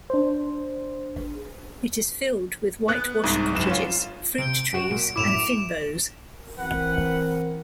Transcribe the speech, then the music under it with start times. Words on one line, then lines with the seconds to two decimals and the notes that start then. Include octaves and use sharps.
It is filled with whitewashed cottages, fruit trees and fynbos.
0.10 D4 C5
2.88 B3 F#6
3.24 C2 G#2
3.55 F#1 E7
3.67 C#4 F4
4.38 C3 G6 D7
4.73 F#2 F#4 E7
4.91 A#2 D7
5.16 F#2 A2 E4 D6 E7 F7
6.57 E3 C4 A#4 B4 F#5